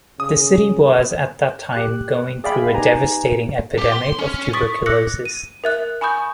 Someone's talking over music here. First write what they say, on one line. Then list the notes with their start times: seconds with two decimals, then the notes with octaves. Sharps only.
The city was at that time going through a devastating epidemic of tuberculosis.
0.20 C#3 D#6
1.73 G4 F#6
2.44 G#4 D5 E5 F5 G5 B5
2.74 D#4 G4 B4 G#5 A#5
3.78 G4
3.92 C6
4.19 C#4
4.53 C#6 D#6 A6 B6 D7
4.86 D6 E6 F#6 A#6 C#7 F#7
5.25 D#7
5.64 A#4 E5 F#6
6.01 G#5 B5 C#6 D#6 G6